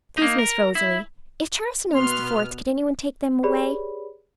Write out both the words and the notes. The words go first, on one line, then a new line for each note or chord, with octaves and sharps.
"Please, Miss Rosalie, if Charleston owns the forts, could anyone take them away?"
A#3 D#4
A#4
E4
B2 B3 C6 F6
G4 G#4 B4 C#5 D5 B5